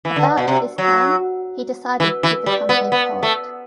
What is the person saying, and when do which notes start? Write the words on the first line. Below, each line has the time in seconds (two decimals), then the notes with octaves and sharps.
About this time, he decided to become a poet.
0.05 E3
0.16 D3
0.37 B2
0.48 C3
0.78 F#3
2.00 E3
2.23 E3
2.46 G3
2.69 B3
2.92 B3
3.23 A3